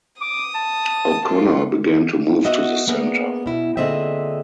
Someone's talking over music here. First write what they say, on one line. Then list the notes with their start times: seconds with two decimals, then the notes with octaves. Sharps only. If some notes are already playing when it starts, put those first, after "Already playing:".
O'Connor began to move to the center.
0.21 D6 D#6
0.54 A5
1.26 F4
2.44 B3 F#4 D#5 E5 F#5
2.87 A#3 B3 D4 G#4
3.46 B2 E4
3.77 A#2 D3 C4 G#4 D#5 E5